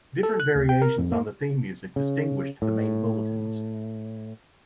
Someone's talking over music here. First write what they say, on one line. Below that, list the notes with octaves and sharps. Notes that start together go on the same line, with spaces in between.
Different variations on the theme music distinguished the main bulletins.
A4
F#6
D2
G5
A#4
F2
A#3
C#3
A2